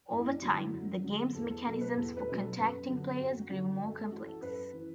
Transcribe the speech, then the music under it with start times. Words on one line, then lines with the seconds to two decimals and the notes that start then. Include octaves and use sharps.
Over time, the game's mechanisms for contacting players grew more complex.
0.11 F#2 E4
0.32 D4
0.42 D3 F#3
0.52 E4
0.72 F#2
1.04 D3 F#3
1.34 E2 A4
1.50 A4
1.65 B2 F#3 A4
1.81 B4
1.96 E2 A4
2.17 B4
2.27 B2
2.32 F#3
2.37 A4
2.57 F#2 B4
2.88 D3 F#3
3.19 F#2 F#4
3.50 D3 F#3
3.81 F#2 A4
3.96 A4
4.11 E3 F#4
4.27 A4
4.42 F#2 B4
4.73 E3